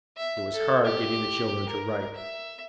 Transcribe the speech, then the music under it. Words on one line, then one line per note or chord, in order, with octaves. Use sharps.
It was hard getting the children to write.
E5
A4
G4
A#4
E5